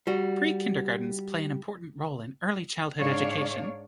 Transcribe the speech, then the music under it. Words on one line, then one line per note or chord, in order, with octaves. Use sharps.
Pre-kindergartens play an important role in early childhood education.
G3 F#4
G#2 D4 C#5 D5 F5